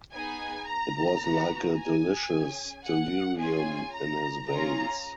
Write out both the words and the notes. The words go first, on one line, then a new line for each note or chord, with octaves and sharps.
It was like a delicious delirium in his veins.
B3 D#4 G#4 G#5
A#5
B3 F#4
G#5
C#4 G#4
F#5
C#4 F4 G#4 G#5
A#5
C#4 F4 G#4 A#5